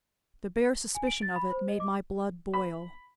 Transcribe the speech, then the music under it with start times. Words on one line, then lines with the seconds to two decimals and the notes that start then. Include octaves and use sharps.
The bare suspicion of it made my blood boil.
0.95 G#5
1.07 D7
1.22 A6
1.36 B5
1.51 C5
1.68 D#5
1.80 D6
2.54 B5